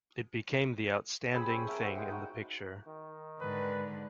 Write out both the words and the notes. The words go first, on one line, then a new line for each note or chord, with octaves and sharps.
It became the outstanding thing in the picture.
C4 G4 G#4 B5
C4 C#4 G#4
A3 A#4 E5 G5
F#4 C5 F#5
G#3 G5
D#4 F#4
D#3
G#2 D3 B4